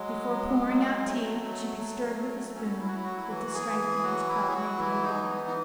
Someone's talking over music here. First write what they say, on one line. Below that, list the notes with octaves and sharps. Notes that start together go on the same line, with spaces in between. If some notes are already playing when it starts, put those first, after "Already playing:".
Before pouring out tea, it should be stirred with a spoon that the strength of each cup may be alike.
Already playing: F#3 G#3
F#3
F#3
F#3 A3
F#3
F#3
F#3
F#3 C#4
E4
F#4
F#3 E4
F#4
E4
E3 F#4
G#4
E3
G#4
F#3 F#4
E4
F#3
G#4
F#4
E3 E4
D#4
E3
A3
B3
D#4